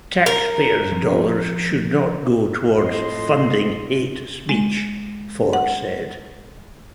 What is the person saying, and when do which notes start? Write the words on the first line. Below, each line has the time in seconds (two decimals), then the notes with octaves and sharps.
"Taxpayers dollars should not go toward funding hate speech," Ford said.
0.26 A#4
0.92 F3 C4
2.78 F2 A2 D#5 C6
4.49 G#3
5.53 F#5